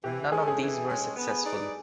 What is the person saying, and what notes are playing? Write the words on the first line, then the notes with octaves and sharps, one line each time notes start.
None of these were successful.
E3 G4
G#3 C#4 G#4
A4
G#4
E3
G#3 C#4
B3
D#4 G#4 B4 D5